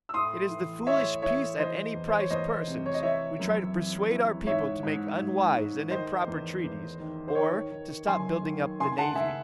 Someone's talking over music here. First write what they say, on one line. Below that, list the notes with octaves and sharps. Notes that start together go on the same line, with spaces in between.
It is the foolish, peace-at-any-price persons who try to persuade our people to make unwise and improper treaties, or to stop building up the navy.
E6
A2 C6 D#6
E3
A2 C#5 E5
E3 C#5 E5
E3 C5 D#5
E2
C5
C#5
E2 C5 D#5
C3
C#5
D#5
E3 C#5 E5
F#2
E3
E3
G#2 C#5 E5
G#2
G#2
G#2
D#3 C5 D#5
E2
E2
D#3
C5
D#3 C#5
D#3
F#2 G#5 C6
D#3
C#3 G#5 C6
F#5 A5
C#3 E5 G#5